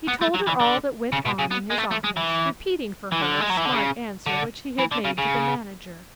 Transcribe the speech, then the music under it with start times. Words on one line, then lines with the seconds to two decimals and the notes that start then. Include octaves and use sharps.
He told her all that went on in his office, repeating for her a smart answer which he had made to the manager.
0.08 B3
0.21 A3
0.34 F#3
0.47 E3
0.60 D3
1.12 C#3
1.26 B2
1.39 C#3
1.51 B3
1.70 G#3
1.78 A3
1.91 A3
2.04 G#3
2.17 E3
3.12 E3
3.22 D3
3.41 G#3
3.50 F#3
3.57 E3
3.66 D3
3.74 C#3
4.26 D3
4.79 E3
4.92 D3
5.05 C#3
5.18 C#3